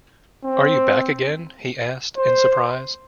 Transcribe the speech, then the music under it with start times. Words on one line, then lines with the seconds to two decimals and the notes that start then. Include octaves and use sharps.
Are you back again? he asked, in surprise.
0.44 C4
2.17 C5